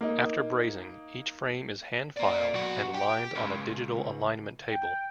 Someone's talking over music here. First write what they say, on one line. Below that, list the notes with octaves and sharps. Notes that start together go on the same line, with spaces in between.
After brazing, each frame is hand filed and aligned on a digital alignment table.
A#3 D#4
A#3 D5
B1 F#4
G4
C#2
G5